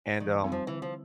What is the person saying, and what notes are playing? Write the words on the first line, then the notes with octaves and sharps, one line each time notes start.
and, um
D#3 E3
G3 C4 D#4
F3
D3 E3
F3